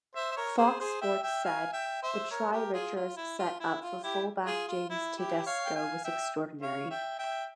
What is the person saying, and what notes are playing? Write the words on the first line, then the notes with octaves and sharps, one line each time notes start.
Fox sports said, The try Richards set up for fullback James Tedesco was extraordinary.
C5 E5
E5
A#4 C#5
G#4 C5
G#4 C5
E5 G5
E5 G5
F5 G#5
E5 G5
C5 E5
A#4 C#5
G4 A#4
F4 G#4
F4
E4
F4
E4
F4
E4 G4
F4 G#4
F4
E4
E4 G4
C#5 F5
G5
F5 G#5
E5 G5
C#5 F5
E5 G5
E5 G5